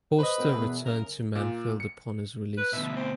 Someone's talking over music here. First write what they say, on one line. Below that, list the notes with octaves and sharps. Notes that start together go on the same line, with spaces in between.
Forster returned to Manfield upon his release.
B4 C5 D#5
C4 F#4 A#4
E2 B2 G#4 E5
F#2 C#3 A#4
A#2
C#7
B4
D2 B2 E5
C4